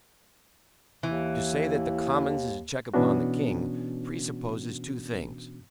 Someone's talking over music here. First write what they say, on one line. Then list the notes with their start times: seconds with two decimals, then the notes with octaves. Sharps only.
To say that the commons is a check upon the king, presupposes two things.
1.03 D#2 E3
2.94 B2 E3 B3 C#4 D4 F#4